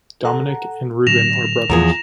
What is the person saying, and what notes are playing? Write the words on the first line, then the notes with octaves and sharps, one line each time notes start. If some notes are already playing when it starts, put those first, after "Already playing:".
Domenic and Reuben are brothers.
A4 F#5 A#5
A2 D3 F#3 A#6 E7 F7
E2 F3 G#4 A#5